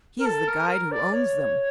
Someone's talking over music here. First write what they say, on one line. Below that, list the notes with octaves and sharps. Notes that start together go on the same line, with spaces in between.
'He is the guide who owns them.'
A#4
A4
A#4
A#4
D5
C#5